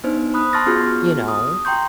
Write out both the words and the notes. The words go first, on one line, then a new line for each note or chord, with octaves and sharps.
you know?
B3 D4 D#4 C5
B5 D#6 F#6
A5 C6 C#6 F6 A6 A#6
B3 C#4 F4 F#4 G#4 F6
D#6
G5 A#5 C6 C#6 G6